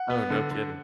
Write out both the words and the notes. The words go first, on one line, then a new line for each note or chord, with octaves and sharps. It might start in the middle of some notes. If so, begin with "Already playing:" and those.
Oh, no kidding.
Already playing: F#5
B3
D3
D3